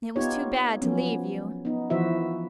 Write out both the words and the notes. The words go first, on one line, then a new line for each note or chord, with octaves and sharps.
It was too bad to leave you.
B3 D#4 F4 G4 C#5
F3 F#3 B3 C#4
B3 D#4
E3 F3 E4 F#4 C5 E5